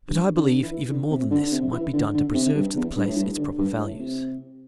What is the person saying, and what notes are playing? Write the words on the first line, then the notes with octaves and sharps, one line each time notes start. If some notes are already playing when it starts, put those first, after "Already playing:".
But I believe even more than this might be done to preserve to the place its proper values.
G2
D3
E3
D3
C3
D3
C3
E3
D3
D3
C3
G2
E2
G2
A2
G2
D3
G2
A2
C3